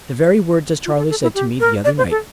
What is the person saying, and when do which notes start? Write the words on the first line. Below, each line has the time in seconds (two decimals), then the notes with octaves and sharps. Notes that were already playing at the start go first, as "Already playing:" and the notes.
The very words as Charley said to me the other night.
0.86 F4
0.97 A4
1.10 A4
1.22 E4
1.35 G4
1.60 A#4
1.84 D5
1.98 C5
2.11 A4